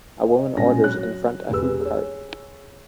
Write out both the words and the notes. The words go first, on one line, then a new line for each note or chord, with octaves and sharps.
A woman orders in front a food cart.
D#5
A#1 B2 G#3 C#4 A#6
F#3 C#5 F#6
E1 G4 G#4 B4 E6
G#4 C#5